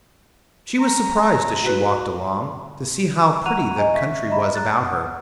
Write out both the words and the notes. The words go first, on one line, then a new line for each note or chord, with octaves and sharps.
She was surprised, as she walked along, to see how pretty the country was about her.
A#5
F#4 B4
F#5 A#5 C#6 F#6 D#7 F7
D#5 G#5 A#5
E5 C#6 B6
D#5 E5 A#5 B5
A#5 F#6 A6
F#5 D#6